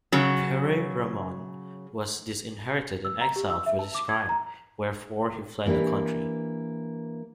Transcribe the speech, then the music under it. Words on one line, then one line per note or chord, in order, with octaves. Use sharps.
Pere-Ramon was disinherited and exiled for his crime wherefore he fled the country.
C#3 F#3
E6
A#5
G4
E6
E5
A5
D6
G#6
A#5
E3 A#3 D4 G4 B4